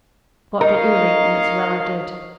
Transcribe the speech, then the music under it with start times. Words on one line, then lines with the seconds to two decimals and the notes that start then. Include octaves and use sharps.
I got there early, and it's well I did.
0.61 D#4 A#4 C#5 D#5 F5